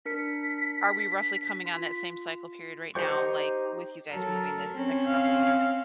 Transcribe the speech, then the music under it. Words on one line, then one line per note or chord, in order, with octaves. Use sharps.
Are we roughly coming on that same cycle period right now, like, with you guys moving this next couple weeks?
D4 A#4 B6 C#7
F4
D#4 G4 C5 G5 C#6
F#3 A4 A#4
C4 C#4
F5